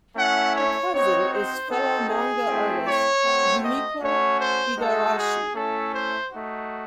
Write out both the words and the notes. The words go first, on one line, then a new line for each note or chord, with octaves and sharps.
Her cousin is fellow manga artist, Yumiko Igarashi.
A3 C#4 E4 F#5
C#5
C4 D#4 F#4 C#5
C5
C4 D#4 F#4 A4
G#4
A3 C4 E4
C#5
A3 C4 F#4
D#5
A3 C#4 F#4 C#5
C5
G#3 D#4 F#4 A4
G#4
A3 C#4 E4 A4
C5
A3 D#4 F#4